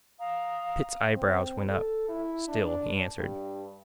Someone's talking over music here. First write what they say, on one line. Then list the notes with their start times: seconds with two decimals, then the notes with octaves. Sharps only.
Pitt's eyebrows went up; still he answered.
0.19 F5 A#5 D#6
1.15 C4
1.69 A4
2.09 E4
2.48 D4
3.18 G2